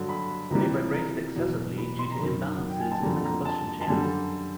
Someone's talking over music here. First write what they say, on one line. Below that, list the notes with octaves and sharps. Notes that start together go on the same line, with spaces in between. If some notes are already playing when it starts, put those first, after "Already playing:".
They vibrated excessively due to imbalances in the combustion chambers.
Already playing: G2 D3 F#3
B5
C#2 C3 E3 G3 A#5
A#5
E2 B2 F#3
B5
C6
A#5
F#2 D#3 F#3 B5
F#5
G5
G#5
A5
F2 D3 G3 A#5
A#5
A5
A5
F#2 D3 G3 G#5